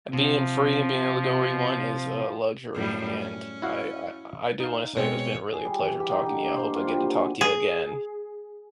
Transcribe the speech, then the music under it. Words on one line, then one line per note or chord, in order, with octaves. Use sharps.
being free and being able to go where you want is a luxury and I I I do wanna say it's been really a pleasure talking to you, I hope I get to talk to you again.
C3 F3
F#2 A2 G3
C#4
E4 F#4 F5
D#4 F5
B2 G#3 C4 C#5
G#4
G3
E3
G4
D#4
D3
A#3
C5
F4
G3
F#3
G#5
G#4